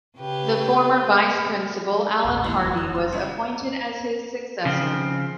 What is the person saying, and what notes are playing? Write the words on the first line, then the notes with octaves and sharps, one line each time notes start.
The former Vice-Principal, Allan Hardy, was appointed as his successor.
C#3 G4 B4
A#1 E2 A#3
C2 D3 E3
F1 F#2
D#6 F#6 A6
E3 G3 C6
C#2 C#3 E5
C#3 F3 C4